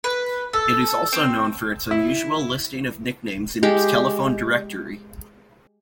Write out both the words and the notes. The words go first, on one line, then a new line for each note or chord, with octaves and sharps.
It is also known for its unusual listing of nicknames in its telephone directory.
B4
A4
C4
E4
G#3 G4